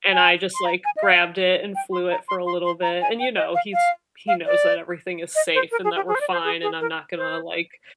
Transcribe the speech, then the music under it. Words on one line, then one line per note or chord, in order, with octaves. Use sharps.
and I just, like, grabbed it and flew it for a little bit, and you know, he's he knows that everything is safe, and that we're fine, and I'm not gonna, like,
G#5
C6
A#5
G#5
D#5
F5
G5
C6
A#5
C6
C6
C6
A#5
G#5
G5
D#5
F5
F5
F5
D5
D#5
C5
A#4
G#4
G4
G#4
C5
D5
C5
G#4
G#4
A#4
C5